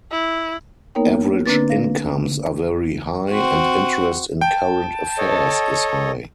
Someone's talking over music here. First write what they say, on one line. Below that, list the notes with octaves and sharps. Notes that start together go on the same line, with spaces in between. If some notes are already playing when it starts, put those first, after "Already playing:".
Average incomes are very-high and interest in current affairs is high.
E4
A#3 B3 D#4 A#4 C#5 G5
D3 A#3 C4 D4 B4 A6
F5 A#6
C4 F#4
G5 A5
A4 C#5 D#5